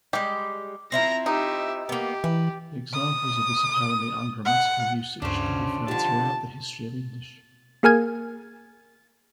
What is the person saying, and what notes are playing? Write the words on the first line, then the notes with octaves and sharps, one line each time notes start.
Examples of this apparently ungrammatical usage can be found throughout the history of English.
G3 G#3 G4
C4 E4 F4 A#5 A#6
D#4 G4 E5
A#3 B3 G4
E3 B4
D#6
F#5
D2 G2 C#3 C#4 D4 C5
F2 D3 F4 G4 A5
A#3 G#4 A#4 G#5 F6 G#6